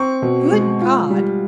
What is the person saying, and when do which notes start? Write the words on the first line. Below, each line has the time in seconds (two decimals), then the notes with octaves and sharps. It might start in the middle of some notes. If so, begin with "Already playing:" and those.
"Good God!"
Already playing: C4 C#6
0.22 B2
0.52 G#3
0.81 F4
1.10 G3